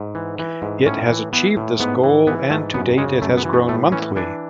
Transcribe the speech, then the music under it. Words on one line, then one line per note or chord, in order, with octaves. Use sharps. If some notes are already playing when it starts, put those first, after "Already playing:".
It has achieved this goal and to date it has grown monthly.
Already playing: G#2
E3
E3
G#2
A2 C#4
E3
E3 B3
A2
G#2 B3
E3
E3 B3
G#2 A3
F#2 B3
C#3 G#3
F#2 A3
B3
E3
A3
A2 A3
E3 C#4
E3 D4